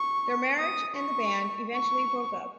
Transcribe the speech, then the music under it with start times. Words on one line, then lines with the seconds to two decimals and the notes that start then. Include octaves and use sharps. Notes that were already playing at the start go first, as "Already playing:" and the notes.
Their marriage and the band eventually broke up.
Already playing: C#6
0.59 D#6
0.96 C#6
1.74 C#6